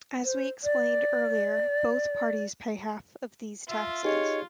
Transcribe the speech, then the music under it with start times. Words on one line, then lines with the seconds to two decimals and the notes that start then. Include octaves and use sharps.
As we explained earlier both parties pay half of these taxes.
0.24 C5
0.64 D5
3.68 F4 E5
4.05 D#4 G4 G#4 C#5 D#5